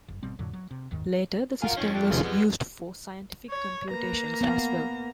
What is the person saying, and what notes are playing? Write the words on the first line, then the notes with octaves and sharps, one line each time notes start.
Later, the system was used for scientific computations as well.
F#1
G#1 B2 G3 C4
F2 A2 D3 F#3
F#3
C3
F#1 D#2 G#2 D#3
F4 F#4 G#4 A#4 F5
F2 D#3 F3 C#4
A3 D4 G4
F4 G#4
G3 G#3 B3
C#5
A#3 B4 A#5
B3 F5